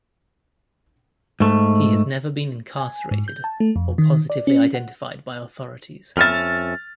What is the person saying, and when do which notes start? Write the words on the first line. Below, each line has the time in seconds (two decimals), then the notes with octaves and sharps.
He has never been incarcerated or positively identified by authorities.
1.40 G#2 A3
2.77 G#5
3.11 G#2
3.28 G6
3.44 A5
3.60 A3
3.76 F2
3.98 D#3
4.30 D5
4.47 C#4
4.74 F#5
6.17 F2 C#4 E5 F6 A6